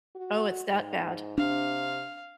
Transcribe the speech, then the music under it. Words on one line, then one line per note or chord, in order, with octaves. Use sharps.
Oh, it's that bad?
F#4
G#2
C3 D4 F5